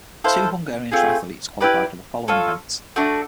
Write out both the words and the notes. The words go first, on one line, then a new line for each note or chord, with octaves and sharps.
Two Hungarian triathletes qualified for the following events.
E4 A4 C5 F5
A3 C4 F4 G#4
E4 G4 B4 D5
F4 A4 C#5
A3 D4 F#4